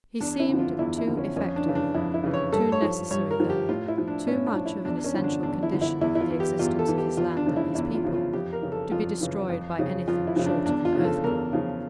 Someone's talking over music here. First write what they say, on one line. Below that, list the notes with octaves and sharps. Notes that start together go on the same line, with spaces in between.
He seemed too effective, too necessary there, too much of an essential condition for the existence of his land and his people, to be destroyed by anything short of an earthquake.
E2 D4
E4
D3 F3
F4
E2 E4
E4
D3 F3
C#4
F2 C#4
D4
C#3 E3
D4
F2 E4
E4
C#3 E3
C#5
G2 A4
C#5
F3
G2 C#5
A#4
F3
G4
A2 F4
E4
F3
D4
A2 C#4
D4
F3
E4
E2 D4
C#4
D3 F3
D4
E2 D4
E4
D3 F3
E4
E2 E4
E4
F4
E3
G4
E2 F4
A4
E3
G4
E2 F4
D4
C#3 F3
E4
E2 E4
F4
C#3 F3
F4
F2 G4
A#4
C#3 E3
A4
F2 F4
C#3 E3
F2
C#3 F3
F2 F4
E4
C#3 F3
D4
E2 D4
F4
C#3 F3
A4
E2 A#4
C#3 F3